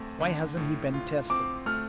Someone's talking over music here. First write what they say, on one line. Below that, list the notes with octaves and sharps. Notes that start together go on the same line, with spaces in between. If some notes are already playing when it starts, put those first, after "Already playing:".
Why hasn't he been tested?
Already playing: D2 A3 C4
D3
A2
F4
C4 D6
A3 F6